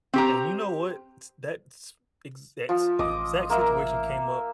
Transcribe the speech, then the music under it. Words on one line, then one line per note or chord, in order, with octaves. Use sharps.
And you know what? It's that's exact s exact situation came up
C4 G4 A#5
F3
A1 D#5 D6
A#3 A#4 E5